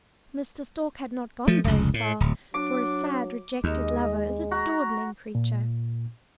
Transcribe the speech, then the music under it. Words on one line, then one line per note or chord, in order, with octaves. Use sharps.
Mr. Stork had not gone very far, for a sad, rejected lover is a dawdling creature.
F3 A3
F1 C#2
A2
D1
F#3 D4 D6
D#2 G#3 D#5
F#4 A#5
A#2